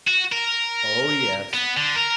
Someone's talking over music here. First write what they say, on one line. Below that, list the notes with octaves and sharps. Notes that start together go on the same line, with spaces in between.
Oh yes.
F#4
A#4
B3
D3
A#4